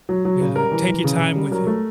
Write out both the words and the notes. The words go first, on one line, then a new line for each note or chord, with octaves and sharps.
yeah, take your time with him.
F#3
F#3
C#3
G3 A#4
E3
E3
C#3
C#3
G3
F#3 A#4
A3